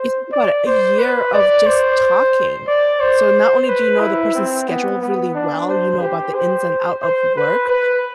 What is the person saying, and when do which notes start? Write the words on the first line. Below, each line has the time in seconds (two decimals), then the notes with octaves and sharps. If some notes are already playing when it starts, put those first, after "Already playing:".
You think about it, a year of just talking. So not only do you know the person's schedule really well, you know about the ins and out of work,
Already playing: C5
0.32 D5
0.66 C5
0.99 B4
1.33 D5
1.67 C5
2.67 D5
3.01 C5
3.67 B4
4.01 E4
4.35 C4
4.68 B3
5.01 B3
5.35 D4
5.69 C5
6.01 G4
6.35 C5
7.02 C5
7.36 B4
7.69 B4